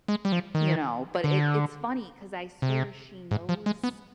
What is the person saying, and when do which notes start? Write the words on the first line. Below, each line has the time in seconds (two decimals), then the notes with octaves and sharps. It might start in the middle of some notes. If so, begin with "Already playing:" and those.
Eh, you know, but it it's funny 'cause I swear she knows
0.08 G#3
0.25 G3
0.32 F3
0.55 D#3
1.24 D3
2.62 C3
3.31 G#2
3.49 F3
3.66 G#3
3.84 B3